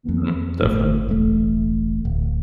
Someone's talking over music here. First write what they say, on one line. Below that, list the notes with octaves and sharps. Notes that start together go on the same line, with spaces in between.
Mhm. Definitely.
F2
G1 A2
E1 A1 A3
D1